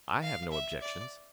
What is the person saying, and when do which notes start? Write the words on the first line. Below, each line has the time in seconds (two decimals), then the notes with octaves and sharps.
"I have no objections."
0.22 F5
0.51 E5
0.81 D5